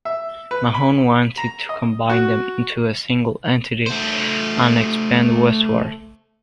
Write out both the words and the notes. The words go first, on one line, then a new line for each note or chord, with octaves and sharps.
Mahone wanted to combine them into a single entity and expand westward.
E5
B4
B5
A#5
D#5
F#4
A3 C5